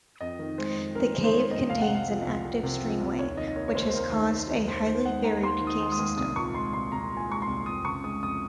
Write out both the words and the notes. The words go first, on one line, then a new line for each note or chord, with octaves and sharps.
The cave contains an active streamway, which has caused a highly varied cave system.
F2 D#5
D#3
G#3 C5
F2
F2 A#4
D#3 C5
C5
G#3 C#5
F2 D#5
C2 F5
F#5
C3
F5
F3
C2
C2
C3
F3
C2
D#2 C#5
D#3 D#5
D#5
A#3 C#5
C#5
D#2 C5
C5
D#2 A#4
D#3
A#3
D#2
D#2 C5
D#3 C5
G#3 F#5
D#2 A#5
D#2 C6
D#3
D#6
G#3
D#6
D#2
C2 D#6
A#2 C#6
G#3 C6
C2 C6
C2 A#5
A#2
G#5
G#3 C#6
C6
C2
F2 D#6
C#3 C#6
G#3 D#6
F2 D#6